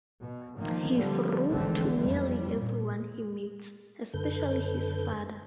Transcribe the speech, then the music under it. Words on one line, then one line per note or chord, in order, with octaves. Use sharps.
He's rude to nearly everyone he meets, especially his father.
B2
D#3 F3 A#3
D3 F3 G3
G#1 C#2 D3 E3 A3 C4
F2 G3
A#2
F#2 D3 A4 B4 G6